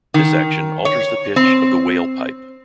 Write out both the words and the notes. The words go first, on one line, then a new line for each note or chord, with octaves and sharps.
This action alters the pitch of the 'wail pipe'.
D#3
C#5
C4